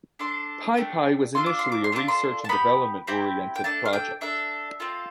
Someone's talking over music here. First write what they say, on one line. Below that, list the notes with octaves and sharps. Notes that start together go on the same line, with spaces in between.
PyPy was initially a research and development-oriented project.
D4 A4 C6
A3 D4 G4
D4 F4 A4 C6
D6
C6
D6
C6
A3 D4 F4 A4 D6
C6
A5
B3 D4 G4 B5
C4 E4 G4
G5
A3 D4 A4 A5
F5
G5
D4 A4 E5
C4 F4 A4